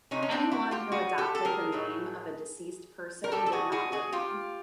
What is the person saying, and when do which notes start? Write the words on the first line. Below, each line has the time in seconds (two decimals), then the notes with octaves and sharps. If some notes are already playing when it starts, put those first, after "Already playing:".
Anyone who adopted the name of a deceased person would not live long.
0.11 C3 F3 A3 C#4 D#4
0.22 C#4
0.31 C4 D4
0.51 E4 F#4
0.71 F4 G4
0.92 F#4 G#4
1.18 G4 A4
1.35 A4
1.45 G#4 A#4
1.72 A2 F#3 A3
3.24 A#4
3.32 B2 G3 G4 A4
3.46 A4
3.52 F#4 G#4
3.72 F#4 G#4
3.92 F#4 G#4
4.12 F4 G4